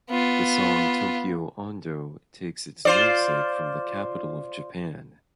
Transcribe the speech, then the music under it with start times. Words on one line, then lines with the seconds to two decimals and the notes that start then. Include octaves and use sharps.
The song "Tokyo Ondo" takes its namesake from the capital of Japan.
0.10 B3 F4
2.85 F4 C5 D5